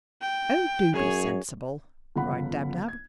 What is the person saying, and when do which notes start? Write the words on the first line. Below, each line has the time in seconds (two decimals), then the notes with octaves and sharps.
"Oh, do be sensible!" cried Dab-Dab.
0.21 G5
0.93 F#2 G#4 C#5
2.16 G1 C#3 F3 F#5 B5
2.88 G#6